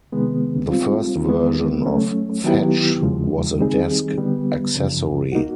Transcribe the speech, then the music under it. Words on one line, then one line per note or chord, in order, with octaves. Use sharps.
The first version of Fetch was a desk accessory.
C3 D#3 G#3 B3
G3 C4 F4
D#3 G#3 B3
F#3 A3 C#4
D#3 F#3 B3 E4 G4
E2 C#3 F3 G#3
D#3 G3 C4 D#4 G#4
D3 G3 B3
F#2 C#3 F3
A#3 D#4 F#4